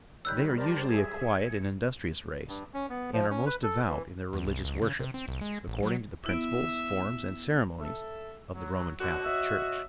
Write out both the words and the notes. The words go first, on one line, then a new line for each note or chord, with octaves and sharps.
They are usually a quiet and industrious race, and are most devout in their religious worship, according to the principles, forms, and ceremonies of the Roman Catholic Church.
D#3 G3 C#5 B5 E6 F#6 G6
A#4 C5 D5 A5
G#4 E5 G#6
C#7
G2
C#4
B3
F3
C#4
B4
A4
E3
E2
C2
C#2
C#3
C3
C4
C2
G#3
A1
F#3
B3 E4 E5
A4 E5
F#3
F#2 B2 D3 F#4
C#5 D#5 E5